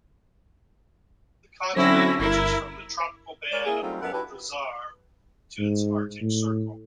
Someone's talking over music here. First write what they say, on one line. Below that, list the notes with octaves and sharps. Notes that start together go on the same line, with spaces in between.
The continent reaches from the tropical band of Aldrazar to its Arctic Circle.
D3 F#3 C4 C#4 E4 A#6
G1 E4 A#4
G#3 G#4 A#4 C#5 D5
A#3 E4 G#4
F#3 G3 A3 C4 D#4 F4
F#2 B3 A4 A#4 F#5
D4 E4 F#4 G4 B4
G#2
A2